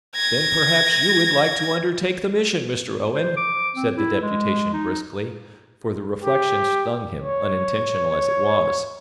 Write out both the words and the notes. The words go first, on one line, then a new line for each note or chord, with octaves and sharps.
"Then perhaps you would like to undertake the mission, Mr. Owen," said the Deputation briskly; for the reflection stung him, unintentional as it was.
G#6 A#6
C5
D6
C4
E4
G#3
D#4
G4
C#5